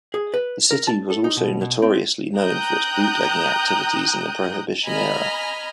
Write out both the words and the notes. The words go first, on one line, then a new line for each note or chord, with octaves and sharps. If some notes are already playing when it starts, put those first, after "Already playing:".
The city was also notoriously known for its bootlegging activities in the Prohibition era.
G#4
B4
A#4
A5
A4
D#4
B2
B2
C4
G5 A#5 D#6 F#6 G6
D#5 G#5 A#5 B5 F6